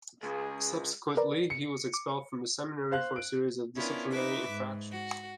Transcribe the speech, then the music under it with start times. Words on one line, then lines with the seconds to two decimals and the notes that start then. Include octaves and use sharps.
Subsequently, he was expelled from the seminary for a series of disciplinary infractions.
0.23 C#2 G#4
1.17 A#4 B4 D5
1.50 C#7
1.94 D6
2.92 C5 F5 F#6
3.16 D7
3.75 B3 C#4 D4 E4 F4 A#4
4.10 D#4 B4 E5 D6
4.50 G#2
4.90 F#4